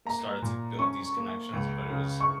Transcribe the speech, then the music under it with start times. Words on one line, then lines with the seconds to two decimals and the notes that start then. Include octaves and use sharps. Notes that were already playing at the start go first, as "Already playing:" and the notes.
started to build these connections, but it was
0.05 A#3 A#5
0.42 A#2
0.79 C#4 C#6
1.17 A#3
1.54 C#2
1.90 C#3
2.20 C#6